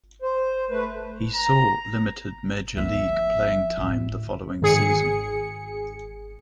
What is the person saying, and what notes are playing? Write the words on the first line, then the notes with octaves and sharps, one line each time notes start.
He saw limited major league playing time the following season.
C5
A3 B4
A#5
F3 B3 E5
A1 D2
G#1 G#4 C#7